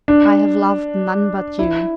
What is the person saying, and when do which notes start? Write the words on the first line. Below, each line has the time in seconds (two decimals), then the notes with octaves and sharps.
I have loved none but you.
0.08 D4
1.59 E4